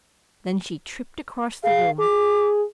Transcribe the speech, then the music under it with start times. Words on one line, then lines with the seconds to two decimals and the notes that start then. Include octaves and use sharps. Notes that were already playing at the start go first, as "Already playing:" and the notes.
Then she tripped across the room.
1.64 G#4 F5
1.99 G#4 D6